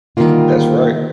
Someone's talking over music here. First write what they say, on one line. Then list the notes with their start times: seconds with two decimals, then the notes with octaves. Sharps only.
That's right
0.17 D3 D#3 F3 G3 A#3 F4